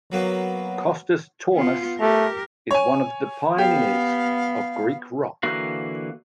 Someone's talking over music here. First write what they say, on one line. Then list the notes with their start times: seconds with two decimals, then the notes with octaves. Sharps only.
Kostas Tournas is one of the pioneers of Greek rock.
0.12 F#3 A#3 B3
1.54 B3 F4
2.00 A3 G4 A#4
2.71 C#5 G#5
3.58 B3 G4 F5
5.43 D3 E3 A#3 F#4 F5